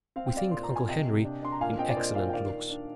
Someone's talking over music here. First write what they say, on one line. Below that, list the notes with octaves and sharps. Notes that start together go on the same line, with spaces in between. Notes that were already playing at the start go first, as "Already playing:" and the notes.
We think uncle Henry in excellent looks.
C4 F5
G5
C4 D5 F5
A#2 C6
A#5
A#2
G#5
C3 D#5 G5
C3
D4
D4 C6
A#5
A#2 F5 G#5
C4 D#5 G5
D5
A#2 C5 D#5
A#2 D5 F5
G5
D#3 D5 F5
D#3
D4